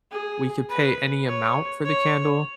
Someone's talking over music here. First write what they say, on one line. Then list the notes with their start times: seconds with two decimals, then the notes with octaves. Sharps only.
we could pay any amount for the candle,
0.12 G#4
0.69 B4
1.27 C#5
1.85 C#5